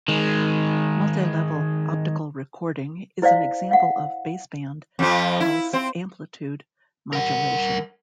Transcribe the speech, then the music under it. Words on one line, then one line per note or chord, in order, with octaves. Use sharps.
MultiLevel optical recording is an example of baseband pulse-amplitude modulation.
D#3 G#3
E4 C5 D5 F5
F5 F#5
F2 F3
E4
C4
A#4 F#5